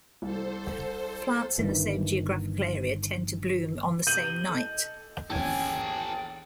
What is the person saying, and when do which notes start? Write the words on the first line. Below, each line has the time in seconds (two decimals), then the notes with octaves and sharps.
Plants in the same geographical area tend to bloom on the same night.
0.22 C2 A4 C5
1.58 G1 G2 D#3 E3
4.07 C3 G6 D#7 F#7
4.49 A4 D#5
5.30 A#1 E2 C#4 A4 G5 G#5